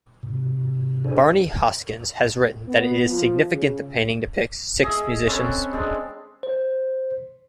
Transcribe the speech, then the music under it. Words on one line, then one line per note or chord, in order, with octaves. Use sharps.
Barney Hoskyns has written that it is significant the painting depicts six musicians.
G#2 C3
D4 G#4 A4 C5 D5 G#5
B3
F3
C#3
G#4 D#5 E5
C4 C#4 A4 B4
G#3 C4 D4
C5